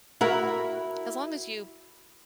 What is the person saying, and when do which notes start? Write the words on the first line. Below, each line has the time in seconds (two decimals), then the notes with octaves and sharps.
as long as you
0.21 E4 F#4 A#4